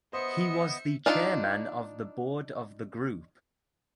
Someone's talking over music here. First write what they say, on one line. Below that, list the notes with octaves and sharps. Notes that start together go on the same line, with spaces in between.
He was the Chairman of the Board of the Group.
B3 C5 D#5 E5 C#7
D4 D#4 F4